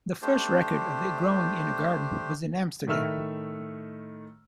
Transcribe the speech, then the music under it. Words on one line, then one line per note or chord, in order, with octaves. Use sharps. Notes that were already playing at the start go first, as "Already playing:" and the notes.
The first record of it growing in a garden was in Amsterdam.
A3 D4 G4 C5
A2 D#3 A3 E5 E6 F6